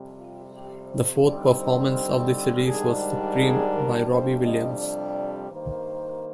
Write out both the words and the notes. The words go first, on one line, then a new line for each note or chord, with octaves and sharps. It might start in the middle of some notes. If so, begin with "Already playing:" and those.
The fourth performance of the series was "Supreme" by Robbie Williams.
Already playing: F2 C3 G3
F4
G4
C5
D3 G3 C4 D#4 D5
C5
G#2 D#3 G3 D4 G#4
G4
G#4
A#4
F2 C3 G3 D4 C5
D#5
D5
G2 D#3 A#3 C5